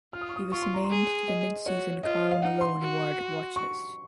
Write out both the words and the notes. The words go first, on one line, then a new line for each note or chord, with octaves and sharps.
He was named to the midseason Karl Malone Award watchlist.
F4 F6
D#6
C#6
D#6
F4 C#6
C6
A#5
C6
G#4
D#5
F#4 C#5
F4 D#5
F5
D#4 F#5
C6
F#4
C#6